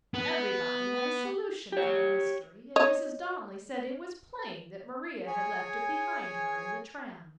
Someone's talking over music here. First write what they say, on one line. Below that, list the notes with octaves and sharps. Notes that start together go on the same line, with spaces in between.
Everybody had a solution for the mystery and Mrs. Donnelly said it was plain that Maria had left it behind her in the tram.
B3
G4 C#5
C#5 D#5
G#4 C#5 G#5